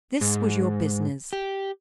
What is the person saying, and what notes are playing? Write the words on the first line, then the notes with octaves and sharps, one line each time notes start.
This was your business!
G#2
G4